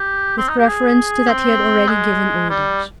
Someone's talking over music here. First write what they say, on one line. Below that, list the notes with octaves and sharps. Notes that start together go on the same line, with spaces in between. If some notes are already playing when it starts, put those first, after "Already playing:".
With reference to that he had already given orders.
Already playing: G4
C4
D#4
G4
G#4
C4
G#3
G3